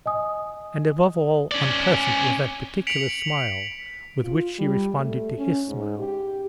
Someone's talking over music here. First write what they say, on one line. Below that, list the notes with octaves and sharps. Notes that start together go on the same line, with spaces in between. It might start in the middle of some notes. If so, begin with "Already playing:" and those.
And, above all, unpleasant was that particular smile with which she responded to his smile.
D#5 G#5 D#6
C#4 D5
B6 C#7 D7 F7 F#7
F4
G3
A3
C#4
G#2
G4